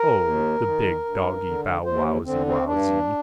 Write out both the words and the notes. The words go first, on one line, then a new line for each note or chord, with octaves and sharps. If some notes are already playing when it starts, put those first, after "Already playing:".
O, the big doggybowwowsywowsy!
Already playing: A#4
D#2
D#3
G2
D3
D#2 C5
D3 C4
C4
G2 D4